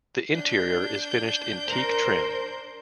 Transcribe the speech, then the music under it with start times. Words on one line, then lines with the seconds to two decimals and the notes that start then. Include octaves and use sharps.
The interior is finished in teak trim.
0.31 D4 G6
1.66 A#4 C5